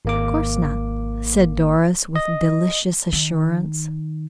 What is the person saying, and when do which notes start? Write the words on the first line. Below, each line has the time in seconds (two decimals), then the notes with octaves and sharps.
"Of course not," said Doris, with delicious assurance.
0.05 G#1 A#3 D6
2.16 D#5
3.13 D#3